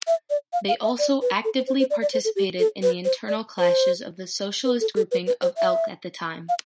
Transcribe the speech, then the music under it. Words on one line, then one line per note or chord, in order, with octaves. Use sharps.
They also actively participated in the internal clashes of the Socialist Grouping of Elche at that time.
E5
D5
F5
F5
E5
D5
B4
A4
C5
C5
C5
D5
D5
C5
A4
G4
A4
B4
C5
D5
C5
B4
A4
A4
B4
B4
C5
E5
F5